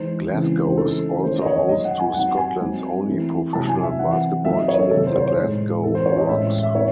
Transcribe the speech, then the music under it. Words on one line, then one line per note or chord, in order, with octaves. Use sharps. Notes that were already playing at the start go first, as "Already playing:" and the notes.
Glasgow is also host to Scotland's only professional basketball team, the Glasgow Rocks.
Already playing: E3 G#3 D#4 C5
C#3 E3 G#3 C4 E4
C5
C#3 E3 A3 D#4 A4
D#3 A3 C#4 C5
D#5
C#5
F#3 A3 D#4 D#5
F#5
G#5
F#3 C4 D#4 F#5
G#5
F#3 C4 D#4
E3 A3 C4 E4
C3 F#3 C#4 E4 A5
G#5
E5
E3 C4 E4 F#5
F#3 C4 D#4 E5
D#5
C#5
A4
C3 D#3 F#3 A4
C5
C#5
C5
A2 G#3 D#4
E3 C4 D#4 A4
C5
C#5
D#5
A2 G#3 C#4 E4 E5
E5
E5
E5
A3 C4 D#4 C#5